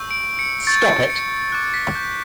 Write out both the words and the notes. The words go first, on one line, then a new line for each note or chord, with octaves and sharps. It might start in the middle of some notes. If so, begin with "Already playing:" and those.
Stop it!
Already playing: C#6 E6 G6
D7
C#7
C#6 G6 A6
C#7
D6 F#6
B6
G6